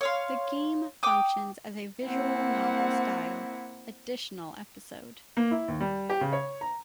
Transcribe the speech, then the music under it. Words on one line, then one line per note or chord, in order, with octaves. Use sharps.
The game functions as a visual novel-style "additional episode".
C#5 F5 C6
G5 D6 D#6
A#3 C4 E4 F#5
A#3
E4
D#2
G3
G4
C#3
C#5
A#5